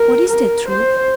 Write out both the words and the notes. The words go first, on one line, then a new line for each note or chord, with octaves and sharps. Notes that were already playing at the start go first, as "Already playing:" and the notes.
What is the truth?
Already playing: A#4
A#4
C5